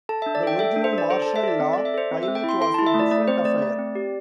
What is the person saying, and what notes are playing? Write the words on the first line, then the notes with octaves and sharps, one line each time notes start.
The original "Marshall Law" pilot was a different affair.
A4 A5
D4 E5
D5
A4 G5
A4 E5
D4
C5
D4
D5
A4 C5
A4 A5
E5
A4 D5
C4
A4 D5
E5
A4 C5
C4
E5
C4
G5
E4 C6
A4 C6
E4 A5
E5
A3
D5
A3 D5
C4 C5
A3 D5
A3
C4
G4